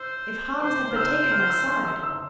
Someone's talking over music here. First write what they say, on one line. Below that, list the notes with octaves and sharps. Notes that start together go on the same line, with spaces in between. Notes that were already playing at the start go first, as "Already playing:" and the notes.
If Hans had but taken my side!
Already playing: C5 E6
C5 D6
F6
C5 E6
F6
E6
C6
E6
E6